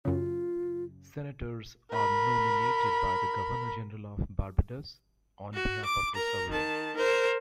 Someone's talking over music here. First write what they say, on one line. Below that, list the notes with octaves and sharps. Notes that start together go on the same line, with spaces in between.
Senators are nominated by the Governor General of Barbados, on behalf of the Sovereign.
F#2 C#3 F4
A#4 B5
F#4
D6
A#4 A#5
D#3 A5
A#4 C5